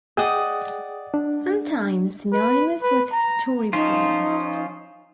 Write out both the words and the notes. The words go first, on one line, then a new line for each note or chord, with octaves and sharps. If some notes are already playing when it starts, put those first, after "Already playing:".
Sometimes synonymous with story pole.
G#4 D5 D#5 F#5 G5 D#6
D4
B4
B4
A#5
F3 C#4 D#4 F4